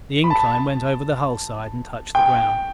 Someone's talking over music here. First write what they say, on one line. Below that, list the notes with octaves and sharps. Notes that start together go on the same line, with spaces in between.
The incline went over the hull side and touched the ground.
B5
A5
G5